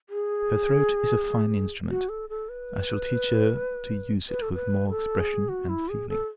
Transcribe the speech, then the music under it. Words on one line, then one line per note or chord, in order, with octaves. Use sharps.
Her throat is a fine instrument; I shall teach her to use it with more expression and feeling.
G#4
F#4
A4
A4
B4
B4
A4
B4
A4
G#4
F#4
E4
G#4
A4